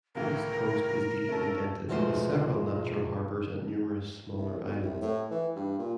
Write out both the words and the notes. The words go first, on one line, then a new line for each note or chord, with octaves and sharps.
The east coast is deeply indented, with several natural harbors and numerous smaller islands.
C#2 A2 E3 A#4
A3 C#4 A4
E2 B2 F3 G#3 A3 C5
C2
B1
C2
A2
E3
G2
A#2